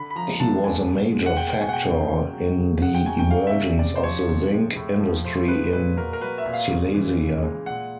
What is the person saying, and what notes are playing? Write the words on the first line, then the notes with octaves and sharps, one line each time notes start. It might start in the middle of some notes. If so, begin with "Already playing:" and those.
He was a major factor in the emergence of the zinc industry in Silesia.
Already playing: D3 B5
B5
F3 A#5
D3 A5
G#3 G#5
B2
G#3
F#5
G#3 G5
G5
B2 G#5
F#5
G5
C#3
F#3
F#3
C#3
C#3 F#5
G5
F#3 G#5
G5
F#3 F5
E5
C#3
C3 D5
C5
F3 C#5
C3
G#3
A2
F3
A2 C5
G#3 B4
A#2 B4
F#3 A#4
A#4
F#3 B4
E5
A#2
F5
C#3
E3
C#3
G#3
A#2 F#5